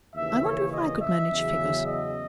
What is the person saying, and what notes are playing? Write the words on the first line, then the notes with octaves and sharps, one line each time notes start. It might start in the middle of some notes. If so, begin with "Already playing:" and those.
I wonder if I could manage figures.
D#2 C#3 E3 E5
C#5
D#5
E5
E2 C#3 F#3
D#5